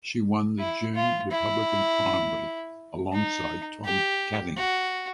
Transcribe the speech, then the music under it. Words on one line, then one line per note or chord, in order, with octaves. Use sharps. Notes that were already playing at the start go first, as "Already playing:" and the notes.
She won the June Republican primary alongside Tom Kading.
E4
F4
E4
D#4
G4
F#4